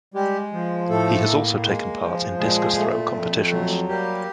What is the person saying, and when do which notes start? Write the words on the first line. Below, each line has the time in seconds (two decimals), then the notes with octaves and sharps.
He has also taken part in discus throw competitions.
0.14 G3 G#3 G4
0.52 F3
0.89 A2 A3 A4
1.27 A#3
1.63 G#3
2.01 F3
2.38 A#2 G#3 G#4
2.77 A3
3.13 F2
3.51 F#3
3.88 G3 A#3 G4